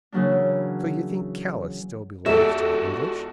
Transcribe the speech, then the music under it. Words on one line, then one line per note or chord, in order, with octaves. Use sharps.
"So you think Calais still belongs to the English?"
C#3 E3 F#3 A#3 D4
E2 G#3 F#4 G4 A4 E5